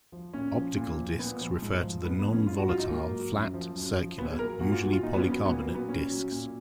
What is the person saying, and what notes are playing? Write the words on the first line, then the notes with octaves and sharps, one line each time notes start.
Optical discs refer to the non-volatile flat, circular, usually polycarbonate discs.
F3
A#2 C#4
F3
A#2
F3
A#2 B3
F3
G#2
F3
G#2 B3
B3
F3
C#4
G#2 F4
F#4
F#3 F4
D#4
G#2 A#3
F#3
F#2
F3
F#2
F3
A#2 B3
G#4
F#3 A#4
A#2 F#4
F4
F#3 F#4
F4
A#2 D#4
B3
C#4
F#3
B3
A#2 B3
A#3
F#3
B3
A#2 C#4
F#3
A#2